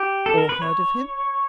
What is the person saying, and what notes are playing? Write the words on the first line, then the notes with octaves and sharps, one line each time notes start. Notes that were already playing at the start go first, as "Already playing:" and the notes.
"Or heard of him?"
Already playing: G4
A4
A#4
B4
C#5